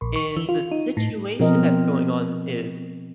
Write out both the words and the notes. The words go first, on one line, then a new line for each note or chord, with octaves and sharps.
and the situation that's going on is
A#1
C#6
E3
F4
D#4
A2
B2 F3 C4 A#4 D#5